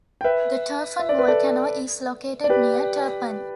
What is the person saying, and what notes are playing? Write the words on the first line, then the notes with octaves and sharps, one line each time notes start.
The Turfan volcano is located near Turpan.
G5
B4 E5
E5
D5
B4
A4 D5
D5
G4 B4